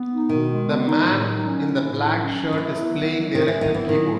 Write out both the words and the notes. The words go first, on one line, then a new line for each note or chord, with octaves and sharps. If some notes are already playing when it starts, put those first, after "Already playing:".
The man in the black shirt is playing the electric keyboard.
Already playing: B3
D#4
B2 D#3
G#3
B3
D#4
A2
F#3
C#4
E4
A2
F#3
C#4
E4
D#3
E3 F#3
B3
E4
F#3
D#3 F#3
E3
B3
D#3
E3 E4
D#3 F#3